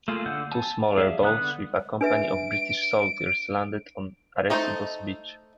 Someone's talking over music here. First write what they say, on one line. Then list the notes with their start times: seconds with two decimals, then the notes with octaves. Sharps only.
Two smaller boats with a company of British soldiers landed on Arecibo's beach.
0.08 A3 A#3 F4 G#4
0.26 D3 F#5 E6 G6
0.51 G#5 A5
0.98 G#4 D5 E5 F5
1.22 D3 B3 F#5 D#6 F#6
2.01 D4 B4 E5 D7
4.50 A3 D#4 A4 B4 C5